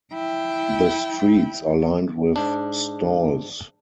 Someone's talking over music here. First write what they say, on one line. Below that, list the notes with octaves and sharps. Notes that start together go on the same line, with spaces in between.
The streets are lined with stalls.
E4 G5
G#2 D4